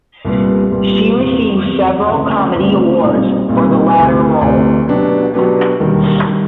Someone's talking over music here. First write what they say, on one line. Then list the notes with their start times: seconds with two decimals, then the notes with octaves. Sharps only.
She received several comedy awards for the latter role.
0.25 C2 A#2 G3 B3
0.71 C2 A#2 G3 B3
1.17 F1 E2 C3
1.63 F1 E2 C3
2.09 D2 C#3 E3 A3 C4
2.55 D2 C#3 E3 A3 C4
3.02 B1 A#2 G3 C4 D#4
3.48 B1 A#2 G3 C4 D#4
3.94 D2 C3 E3
4.41 D2 C3 E3
4.88 B2 F#3 B3 D4 G4
5.34 B2 F#3 B3 D4 G4
5.80 E1 D#2 D#3 G3
6.27 D#3 G3